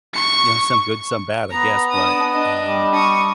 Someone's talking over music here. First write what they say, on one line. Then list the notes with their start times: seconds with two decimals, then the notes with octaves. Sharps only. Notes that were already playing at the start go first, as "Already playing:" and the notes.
You know, some good, some bad, I guess. But, um,
0.14 C#6 C#7
1.52 B3 A#5
1.92 D4 D#6
2.33 D4 D#5
2.64 G3
2.94 C#6 D#6